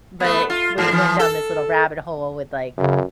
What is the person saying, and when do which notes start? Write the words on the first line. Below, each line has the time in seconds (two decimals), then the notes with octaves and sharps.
but we went down this little rabbit hole with, like,
0.20 A3 B3
0.50 F4
0.78 E2 G#2
0.91 E3 F3
1.19 A4
2.77 F#2 C#3